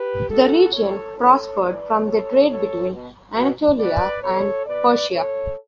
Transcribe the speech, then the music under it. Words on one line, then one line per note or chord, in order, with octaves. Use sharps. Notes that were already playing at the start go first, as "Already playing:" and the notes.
The region prospered from the trade between Anatolia and Persia.
Already playing: G4 B4
B2 F#4 A4
A2 E3 A4 C#5
A2 E3 A4 C#5
A2 E3 B4 D5
B2 A4 C#5
B2 A4 C#5
B2
B2
B2 B4 D5
B2 A4 C#5
B2 B4 D5
B2 A4 C#5